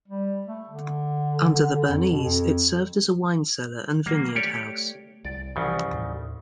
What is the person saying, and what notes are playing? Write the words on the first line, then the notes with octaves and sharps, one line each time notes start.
Under the Bernese it served as a wine cellar and vineyard house.
G3
A3
D3
F2
B2
F2
D#3 F#3 A#3
A3 G4 C#5 D5
C2 D5
C2 G2 C#3 E3 F3
D#2 A2